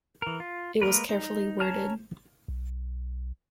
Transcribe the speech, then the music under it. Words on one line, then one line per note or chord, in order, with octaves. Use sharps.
It was carefully worded.
E3 A#4
F4
G#3 A#3 A#4 B4
D#4
C#4 C#5 A5 A#5 F6
B1